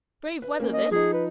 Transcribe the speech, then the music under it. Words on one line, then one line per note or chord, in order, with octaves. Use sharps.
Brave weather this!
B4
A#3 C#4
D#5
F3 D#4 G#4
B4